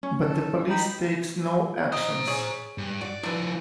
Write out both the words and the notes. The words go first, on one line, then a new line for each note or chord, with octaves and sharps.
But the police takes no actions.
C#4
A4
D#4 G5 B5
C5 D#5 A#5
G#4 C#5
G2
F#4 D5
F3 D4 E4 B4